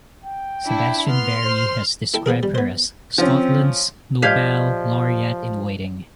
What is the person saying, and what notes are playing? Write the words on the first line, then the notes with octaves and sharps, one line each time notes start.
Sebastian Barry has described her as "Scotland's Nobel laureate-in-waiting".
G5
D4 E4
B3 C6 F6
C5
E4 A4 G5
F3 B3 G#4 A#4
G3
B3 C5
F3 C4 C#4
F3 G4 D5 D#5 F5 G6 G#6 B6